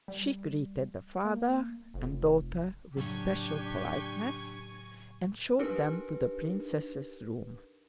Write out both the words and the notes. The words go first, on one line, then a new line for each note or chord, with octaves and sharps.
She greeted the father and daughter with special politeness and showed them to the princess' room.
G3
A#3
F1
A2 C#3 F#3 D4 G4 G#5 C#6
D4 D#4 G4 A#4 B4